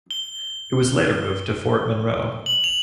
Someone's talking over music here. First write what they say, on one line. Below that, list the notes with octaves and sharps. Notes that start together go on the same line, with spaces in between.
It was later moved to Fort Monroe.
G7
F#7
F7